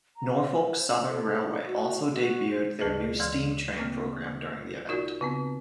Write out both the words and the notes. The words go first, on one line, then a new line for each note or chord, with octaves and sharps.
Norfolk Southern Railway also debuted their new steam train program during the event.
A#5
C4
A#4
C5
C4
A4
D#4
F#4
F#4
C5
D2 C#3 G#4 D#5 A5
D2 E3 G#3 C6 F6
C#3 A#3 C4 F6
D#4 F4 F#4 A#4 D5
C#3 B3 C4